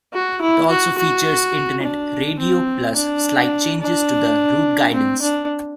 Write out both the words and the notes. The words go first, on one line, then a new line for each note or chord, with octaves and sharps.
It also features internet radio plus slight changes to the route guidance.
F#4
E4
F#4
F#4
D4
C4
D4
D4
C4
D4